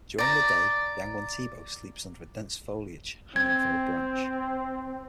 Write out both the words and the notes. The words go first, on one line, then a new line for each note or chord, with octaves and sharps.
During the day the angwantibo sleeps under dense foliage, hanging from a branch.
D5 A#5
C4 G#6